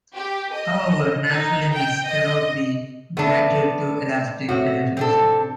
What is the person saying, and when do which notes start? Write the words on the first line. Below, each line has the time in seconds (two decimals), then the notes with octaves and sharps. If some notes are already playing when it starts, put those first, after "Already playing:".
However, "natural limits" cannot be granted too elastic a definition.
0.15 G4
0.53 D#5
1.32 D#4
1.75 G5
2.08 D#5
3.17 A3 B3 D4
4.49 A2 C3 F#4
4.97 C4 D4 A4